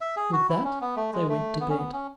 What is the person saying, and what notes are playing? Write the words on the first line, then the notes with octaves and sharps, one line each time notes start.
With that they went to bed.
E5
G#4
F#4
E4
C#4
B3
A3
G#3
A3
B3
C#4
B3
C#4